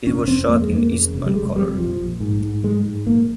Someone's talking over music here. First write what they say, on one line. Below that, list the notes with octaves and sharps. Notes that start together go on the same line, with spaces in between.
It was shot in Eastmancolor.
F1 C#4
F2 C4
F2 A#3
G#3
F2 A#3
C#3
F1
G3
F1 G#3
F2 G3
A#1 F3
A#1
G#2
G#2
G#2 G#3
G#2
A#1 A#3